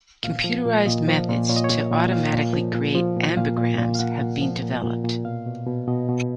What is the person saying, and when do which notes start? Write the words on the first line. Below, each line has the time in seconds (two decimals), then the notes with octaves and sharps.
Computerized methods to automatically create ambigrams have been developed.
0.24 A#2 F5
0.44 F3
0.66 A#2
0.86 A#2 D#5
1.08 F3
1.29 A#2
1.49 A#2 C#5
1.56 D#5
1.64 C#5
1.70 A#2
1.91 A#2
2.11 A#2 F5
2.32 A#2
2.53 F3
2.75 A#2
2.95 F3
3.17 A#2
3.37 A#2 F5
3.57 A#2
3.78 A#2
3.95 F5
3.99 A#2 F#5
4.21 A#2
4.41 F3
4.62 A#2
4.84 A#2
5.04 A#2
5.24 B2 F5
5.46 B2
5.66 B2
5.87 B2 D#5
6.09 B2